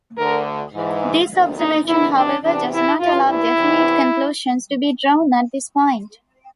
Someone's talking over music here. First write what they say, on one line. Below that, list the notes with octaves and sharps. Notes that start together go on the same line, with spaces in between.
This observation however does not allow definite conclusions to be drawn at this point.
D2 D3 A#4
G#2 E3
D2 C3 D#3
D#4
E2 C3 D#3 E4
D4
E2 C3 E3 D4
E4
G2 E3 F4
E4
E2 C3 E3